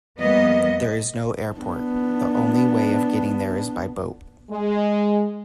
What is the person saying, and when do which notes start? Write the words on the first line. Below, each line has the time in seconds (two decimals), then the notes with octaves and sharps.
There is no airport; the only way of getting there is by boat.
0.20 F2 G3 A#3 B3 D#5
1.56 B3 D4
4.50 G#3